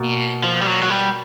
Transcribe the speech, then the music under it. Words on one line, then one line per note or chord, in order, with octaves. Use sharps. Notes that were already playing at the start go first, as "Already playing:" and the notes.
And I
Already playing: B2 A#3
F3
G3
F#3
F#3
G3